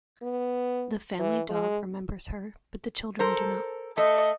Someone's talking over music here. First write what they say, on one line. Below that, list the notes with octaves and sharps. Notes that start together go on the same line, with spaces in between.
The family dog remembers her, but the children do not.
B3
E3
G#3
A4 A#4 C5
A3 A4 D#5